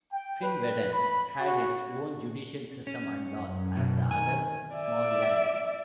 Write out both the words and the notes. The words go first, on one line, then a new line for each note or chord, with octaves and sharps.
Finnveden had its own judicial system and laws as the other "small lands".
G5
B4
B5
F#4
C#4
F#2
B2
D#3 G#5
D5 E5